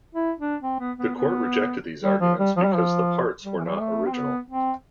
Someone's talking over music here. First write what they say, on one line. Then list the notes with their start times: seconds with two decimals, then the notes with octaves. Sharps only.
The court rejected these arguments because the parts were not original.
0.15 E4
0.40 D4
0.63 C4
0.80 B3
0.98 B3
1.16 B3
2.03 G3
2.20 F3
2.39 G3
2.57 F3
2.65 G3
2.76 F3
3.44 G3
3.58 E3
3.65 F3
3.72 G3
3.79 A3
4.06 C4
4.14 B3
4.50 C4